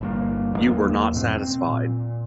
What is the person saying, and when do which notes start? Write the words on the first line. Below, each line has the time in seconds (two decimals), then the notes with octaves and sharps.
You were not satisfied.
0.01 G1 G2 A#3
0.53 E2 G2 F#3 A#3
1.13 G#2 B2 C4
1.35 C4
1.65 A#2